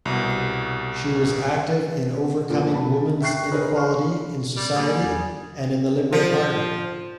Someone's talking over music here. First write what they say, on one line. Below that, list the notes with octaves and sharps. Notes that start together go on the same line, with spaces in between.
She was active in overcoming women's inequality in society and in the Liberal party.
C2 B2
A#2 D3 F3 B3
A5 B5
E5 G5 C#6 F#6 C7
D#4 G#4 A#4 B4 C#5
C6 C#6 F6
G3
F#3 A#3 G#4
E2 D3
F3